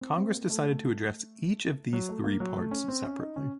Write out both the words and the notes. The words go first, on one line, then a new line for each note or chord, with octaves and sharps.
Congress decided to address each of these three parts separately.
C4
C4
A#3
A3
F#3
A3
A#3
F#3
A3
C#4
C4
C#4
D#4
C#4